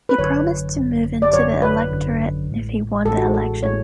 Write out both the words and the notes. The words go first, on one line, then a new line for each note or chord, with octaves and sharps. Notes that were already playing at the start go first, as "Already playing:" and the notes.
He promised to move into the electorate if he won the election.
B4
G#1 F#2 D3 F#3 C#5
G#1 F#2 D3 F#3
D5
G#1 F#2 D3 F#3 C#5
B4
G#1 F#2 D3 F#3
A1 A2 G#3
A1 A2 G#3 A4
F#4
G#4
A4
A2 G#3 C#5